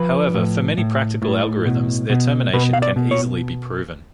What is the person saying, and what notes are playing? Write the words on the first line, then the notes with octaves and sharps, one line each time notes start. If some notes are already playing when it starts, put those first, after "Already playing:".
However, for many practical algorithms, their termination can easily be proven.
Already playing: F3 B4
A2
A2
A2
B2
B2
B2 B4
F5
D5
B2
C#5